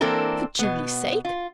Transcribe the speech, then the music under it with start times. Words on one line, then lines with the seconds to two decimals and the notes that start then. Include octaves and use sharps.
"For Julie's sake!"
0.01 E3 A#3 C4 D4 A4 A#4
0.59 B2 B3
1.25 F4